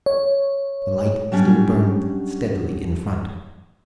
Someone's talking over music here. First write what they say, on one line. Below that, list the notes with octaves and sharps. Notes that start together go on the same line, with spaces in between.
The light still burned steadily in front.
C#5
F#3 G3 C#4 D4